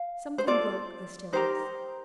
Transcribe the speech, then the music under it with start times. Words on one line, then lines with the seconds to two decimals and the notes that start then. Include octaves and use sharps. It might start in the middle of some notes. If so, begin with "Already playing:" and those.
Something broke the stillness.
Already playing: F5
0.38 C5
0.47 F4 A4 D5
1.33 D#4 G4 A#4 C5